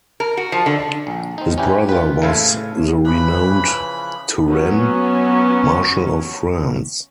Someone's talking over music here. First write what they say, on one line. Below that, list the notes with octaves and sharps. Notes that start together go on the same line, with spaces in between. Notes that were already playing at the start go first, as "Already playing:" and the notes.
His brother was the renowned Turenne, Marshal of France.
A#4
F#4
F3
D3
A#1
C4 D#4
C#4 E4 G4 B4
F4 B4
A2 C#3 E4 A4 F5
C#3 E3 F3 B4 B5
F#3 B3 C#4